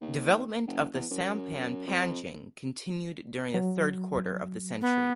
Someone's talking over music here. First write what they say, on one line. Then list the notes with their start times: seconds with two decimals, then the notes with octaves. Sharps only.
Development of the sampan panjang continued during the third quarter of the century.
0.01 D#2
0.67 F#1
0.94 E2
1.11 F#2
1.87 F2
3.54 F#3
4.81 B3